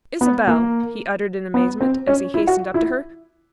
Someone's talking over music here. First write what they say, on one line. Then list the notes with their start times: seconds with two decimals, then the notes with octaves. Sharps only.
"Isabel!" he uttered in amazement, as he hastened up to her.
0.21 B3
0.47 A#3
1.54 B3
1.81 C4
2.07 C#4
2.34 E4
2.47 F#4
2.74 E4